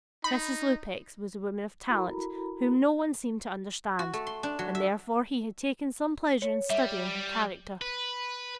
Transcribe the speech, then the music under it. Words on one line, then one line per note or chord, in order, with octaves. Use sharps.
Mrs. Lupex was a woman of talent, whom no one seemed to understand, and, therefore, he had taken some pleasure in studying her character.
D#4 B5
E4 F#4 A4 A#4 A#5 B5
F#4
A3
C6
D4
F#3
E5
C#5
G3 E5
B4